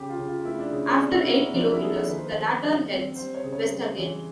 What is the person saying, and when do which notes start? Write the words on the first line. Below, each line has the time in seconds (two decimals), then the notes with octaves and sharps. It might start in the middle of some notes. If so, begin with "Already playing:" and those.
After eight kilometres, the latter heads west again.
Already playing: C#3 G4
0.09 F4
0.18 C#3
0.28 F4
0.45 A3 E4
0.59 D4
0.72 C#3
0.85 C#4
0.99 C3 D4
1.13 E4
1.26 A#3 F#4
1.53 F3 D4
1.72 E4
1.81 A#3 G#4
1.89 A4
2.07 D#3 B4
2.17 C5
2.25 B4
2.35 D#3
2.62 G3
2.89 C4
3.16 G3 C5
3.35 C#5
3.44 C#3
3.53 C#5
3.71 G3
3.97 E3